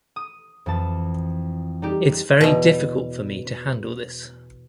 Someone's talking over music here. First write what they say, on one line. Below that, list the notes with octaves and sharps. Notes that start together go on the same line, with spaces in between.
It's very difficult for me to handle this.
D#6
F2 E3 A5 A6
G3 D#4 G4
E2 B2